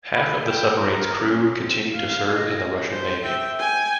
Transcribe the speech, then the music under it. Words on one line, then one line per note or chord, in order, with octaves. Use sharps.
Half of the submarine's crew continued to serve in the Russian Navy.
B5
G5
A#4
C#4
C4
F5
D#5
C5
E5 G5
G5 G#5